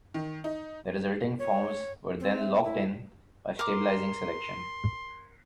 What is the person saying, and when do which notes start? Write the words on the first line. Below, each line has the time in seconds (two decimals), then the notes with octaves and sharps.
The resulting forms were then "locked in" by stabilizing selection.
0.14 D#3
0.44 D#4
1.39 C#5
2.20 C4
2.37 E5
2.63 E4
3.59 A#4 C6 D6